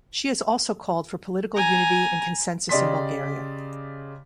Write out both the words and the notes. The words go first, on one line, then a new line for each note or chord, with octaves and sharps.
She has also called for political unity and consensus in Bulgaria.
G#5 A#5
C#3 G4 D5 D#5 C6 B6